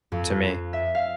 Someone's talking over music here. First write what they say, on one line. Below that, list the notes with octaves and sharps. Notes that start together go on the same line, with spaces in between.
to me.
F2
E5
F5